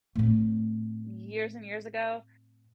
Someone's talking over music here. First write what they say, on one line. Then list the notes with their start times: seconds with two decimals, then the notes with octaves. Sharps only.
Years and years ago,
0.16 A2 C4